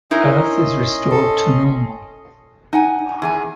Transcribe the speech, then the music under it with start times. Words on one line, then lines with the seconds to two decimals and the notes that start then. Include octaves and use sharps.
Earth is restored to normal.
0.11 C#4 D#4 E4 A#4 D#5 C6
1.11 A4
2.73 D#4 F#5 G#5
3.22 E2 G#4 G#5